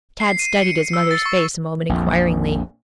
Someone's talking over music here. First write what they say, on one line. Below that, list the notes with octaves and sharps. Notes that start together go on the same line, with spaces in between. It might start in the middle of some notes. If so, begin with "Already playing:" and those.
Tad studied his mother's face a moment inquiringly.
C7
D#7
C#7
E6
A6
C#6
A#1 F2